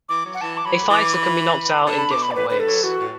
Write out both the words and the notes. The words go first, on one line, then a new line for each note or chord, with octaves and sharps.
A fighter can be knocked out in different ways.
E3 D6
F#3
F#5
E3 A5
D6
F#3 B5
E3 D6
B5
D3 A5
B5
B2 D6
B5
D5
A2 B4
D3 B4
A4
F#3
E3 F#4
A2